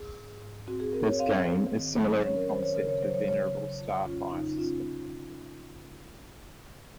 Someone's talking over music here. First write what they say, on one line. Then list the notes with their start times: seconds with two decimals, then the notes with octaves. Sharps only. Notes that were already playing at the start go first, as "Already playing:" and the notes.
This game is similar in concept to the venerable "Starfire" system.
Already playing: G#4
0.16 G#2
0.41 G#2
0.67 C4 F#4
0.80 G#4
0.93 C4 A#4
1.07 C#5
1.19 C4 F5
1.45 C4
1.72 D#3
1.98 F#3
2.23 C#4 C#5
2.36 A#4
2.49 D#3 C5
2.63 C#5
2.75 C#3 A#4
2.88 C#5
3.02 F#3 C5
3.14 C#5
3.28 C#3 C#5
3.54 C#3
3.79 F2
4.06 C#4 F4
4.32 C#3 D#4
4.47 D#4
4.57 C#4 F4